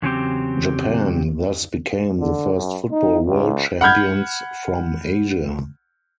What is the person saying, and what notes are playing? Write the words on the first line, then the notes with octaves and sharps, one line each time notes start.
Japan thus became the first football world champions from Asia.
E2 C#3 F#3 C4 G4
D3
F#2
D#4
C#2
F#5 B5 F6 G6 G#6